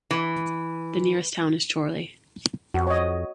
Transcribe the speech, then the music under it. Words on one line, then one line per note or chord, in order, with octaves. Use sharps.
The nearest town is Chorley.
E3
F2 F#4
C#5 D#5